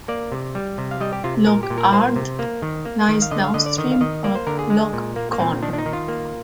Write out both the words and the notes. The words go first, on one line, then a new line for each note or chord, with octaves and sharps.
Loch Ard lies downstream of Loch Chon.
A#3 D5
C3
G3
C3
F5
G3 D#5
G4
C3 F4
A#2 A#4
G4
A#2
A#4
A#3 C5
C3
A#3
D#3
A#3
D#3
F5
D3 D#5
F5
D3 D#5
D5
D#3 D#5
F5
D#3 D#5
A#3 D5
C5
D3 A#4
G#4
G#3
A#2
A#3
A#3
A#2 C4
D#3 D4
D4
D#4
D#3
F4
A#3